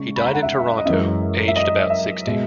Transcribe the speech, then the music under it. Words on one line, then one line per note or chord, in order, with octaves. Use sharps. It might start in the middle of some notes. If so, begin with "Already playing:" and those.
He died in Toronto, aged about sixty.
Already playing: C#3 G#3 C#4 C#6
B5
A#5
F#5
E5
E5
D#5
F#2 E3 G#3 C#4 E5
E5
D#5
E5
B2 G#3